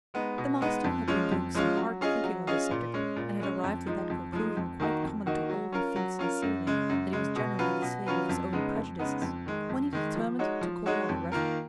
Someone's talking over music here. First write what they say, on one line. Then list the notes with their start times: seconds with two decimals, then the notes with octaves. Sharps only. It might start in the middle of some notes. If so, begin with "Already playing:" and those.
The master had been doing some hard thinking on this subject, and had arrived at that conclusion quite common to all who think sincerely, that he was generally the slave of his own prejudices, when he determined to call on the Rev.
0.14 G#3 B3 D#4
0.38 B2
0.61 G#3 B3 D#4
0.84 F2
1.08 F3 G#3 C#4 F4
1.31 F2
1.55 F3 G#3 C#4 F4
1.77 F#3
2.01 C#4 F4 G#4 D#5
2.24 F#3
2.47 C#4 F4 G#4 D#5
2.71 A#2
2.94 G#3 C#4
3.16 A#2
3.40 G#3 C#4
3.64 F2
3.87 F3 G#3 D#4
4.10 F2
4.33 F3 G#3 D#4
4.57 F2
4.80 D#3 A#3 D#4 F#4
5.03 F2
5.26 D#3 A#3 D#4 F#4
5.50 F#3
5.72 C#4 F4 A#4
5.96 F#3
6.19 C#4 F4 A#4
6.42 F#2
6.67 C#3 G#3
6.89 F#2
7.12 C#3 G#3
7.36 B2
7.59 F#3 C#4 F4 B4
7.82 B2
8.06 F#3 C#4 F4 B4
8.29 F2
8.53 C#3 G#3 B3 D#4
8.75 F2
8.99 C#3 G#3 B3 D#4
9.22 F2
9.46 D#3 G#3
9.69 F2
9.93 D#3 G#3
10.16 F3
10.39 G#3 D#4 F#4 C#5
10.61 F3
10.86 G#3 D#4 F#4 C#5
11.09 F2
11.32 D#3 A#3 F4 A#4